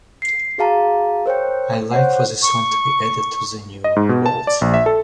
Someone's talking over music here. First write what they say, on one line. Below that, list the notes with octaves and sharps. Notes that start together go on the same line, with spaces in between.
I'd like for this song to be added to the new waltz.
C7
F#4 G#4 F5 A5 A#5
A#4 C5 C#5 G5
C5 C#5 F#5
C#6
D#5
G#2
B2
A5
D5
A#1
E5
A4